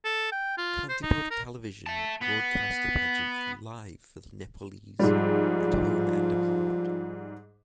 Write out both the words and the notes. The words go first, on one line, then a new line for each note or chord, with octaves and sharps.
Kantipur Television broadcast the pageant live for the Nepalese at home and abroad.
A4
G5
F4
C5
D#4
A#4
E5 A5
B3
G#2 F3 G3